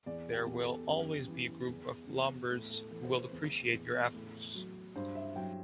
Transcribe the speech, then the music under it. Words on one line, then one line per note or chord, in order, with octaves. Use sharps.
There will always be a group of Lombards who will appreciate your efforts.
E2 D5
G4
E2
A4
F#2 G4
E3
E2
E2
A2 A4
A4
E3 A4
C5
B4
E2
E2
A2
F#3
G2 C5
E5
F#3 G5